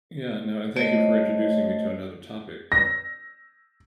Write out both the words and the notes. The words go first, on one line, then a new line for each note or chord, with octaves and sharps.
Yeah, no, and thank you for introducing me to another topic.
A3 C5 C#5 D#5
A#6